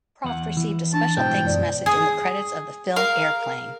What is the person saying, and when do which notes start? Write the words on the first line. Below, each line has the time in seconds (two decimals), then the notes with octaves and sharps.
Proft received a special thanks message in the credits of the film Airplane!
0.24 E2 F#5
0.57 E3
0.94 D4 A5
1.17 G#2 B2 E3 C5 G5
1.44 F#2 D5
1.86 G#4
2.96 A#4 F5